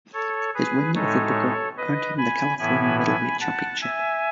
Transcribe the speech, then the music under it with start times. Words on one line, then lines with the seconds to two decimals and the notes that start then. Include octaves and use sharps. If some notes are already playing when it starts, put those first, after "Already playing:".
His win over Booker earned him the California Middleweight Championship.
0.14 A4 C#5
0.55 G#4 B4
0.95 A2 G#3 D#4 A4 C#5
1.77 B4 D#5
2.18 G#5 B5
2.59 A2 E3 B3 E4 G#5 B5
3.00 G#5 B5
3.40 F#5 A5
3.81 E5 G#5